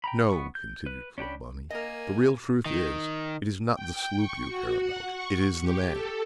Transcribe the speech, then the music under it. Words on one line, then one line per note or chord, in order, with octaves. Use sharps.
"No," continued Clawbonny; "the real truth is, it is not the sloop you care about: it is the man."
G5 A#5 B5
B3 C#6
G6
B4
C#4 D4 G5 B5
A#3 A#4 D#5 G#5
D#3
G5
C#6
F#4
F#5
C#6
G4
A4